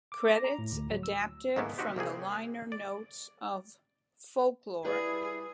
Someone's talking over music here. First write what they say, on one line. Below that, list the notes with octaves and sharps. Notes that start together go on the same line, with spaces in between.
Credits adapted from the liner notes of "Folklore".
D6
A#6
A#5
A2
D2
F#3
E6
G#2 D3 D#3 A#3 B3 E4
C4 D#4 F#4 G4 C5
C2 A#3 C4 G#4
D5
G3 E4 G#4 B4 D5